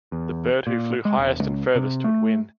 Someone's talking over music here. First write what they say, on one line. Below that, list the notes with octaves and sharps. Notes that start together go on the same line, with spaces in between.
The bird who flew highest and furthest would win.
E2
A#2
G#3
E1
C#2
C3
A3